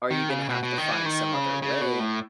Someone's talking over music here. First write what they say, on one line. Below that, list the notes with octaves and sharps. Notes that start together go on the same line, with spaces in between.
Are you gonna have to find some other way
D#3
C#3
B2
B2
D#3
E3
D#3
C#3
C#3
B2
A2